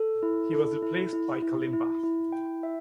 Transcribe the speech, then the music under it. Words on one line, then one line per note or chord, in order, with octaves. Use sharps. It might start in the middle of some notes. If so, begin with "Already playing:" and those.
He was replaced by Kalimba.
Already playing: A4
E4
A4
E4
E4
E4
E4
E4
G5
E5